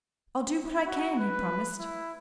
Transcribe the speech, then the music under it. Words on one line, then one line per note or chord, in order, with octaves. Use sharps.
"I'll do what I can," he promised.
F#4
B4
E4